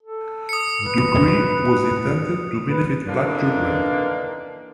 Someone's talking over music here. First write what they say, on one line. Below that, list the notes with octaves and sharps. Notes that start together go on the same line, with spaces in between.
The decree was intended to benefit black children.
A4
D#6 C#7
B4
B4
D3 E3 A#3 D4 D#4